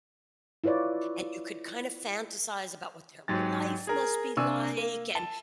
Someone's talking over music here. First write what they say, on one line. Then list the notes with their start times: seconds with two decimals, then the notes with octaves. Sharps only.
and you could kind of fantasize about what their life must be like, and
0.64 E4 F4 B4 C#5 D5
3.28 G#2 F#3 G4 A6
3.87 G#4 A#4
4.37 C3 D4 G#5 C#6 E6
4.77 A#3
5.15 A5